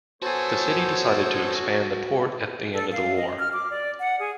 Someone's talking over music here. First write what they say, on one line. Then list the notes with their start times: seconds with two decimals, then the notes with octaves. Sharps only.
The City decided to expand the port at the end of the war.
0.22 B3 F#4 A4 C5 C#5 G#5 A5
2.74 A4
2.93 F5
3.17 D#5
3.38 F6
3.53 D6
3.71 D5
4.00 F#5
4.19 G#4